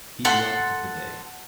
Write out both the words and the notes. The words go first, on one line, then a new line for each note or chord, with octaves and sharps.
He loved the day.
A4 F#5 C6